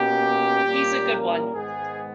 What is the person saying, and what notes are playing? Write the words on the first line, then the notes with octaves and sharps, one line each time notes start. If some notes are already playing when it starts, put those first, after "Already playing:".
He's a good one.
Already playing: B2 A#3 C#4 G4
A#2 G3 A#3 C#4
A#4
G#2 D#3 G#3 B3 G#4